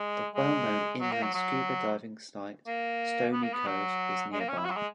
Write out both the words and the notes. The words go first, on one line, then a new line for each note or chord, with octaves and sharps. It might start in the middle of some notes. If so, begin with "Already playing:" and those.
The well-known inland scuba diving site Stoney Cove is nearby.
Already playing: G#3
G#3
F#3
A#3
F#3
F#3
A#3
B3
A#3
B3
F#3
G#3
A#3
C#4
E4
F#4
F#3
G#3